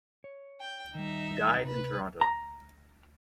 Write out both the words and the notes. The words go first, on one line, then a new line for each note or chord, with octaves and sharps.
He died in Toronto.
C#5
G5
D#3 G3 D#4 E5
C3 B4
A#5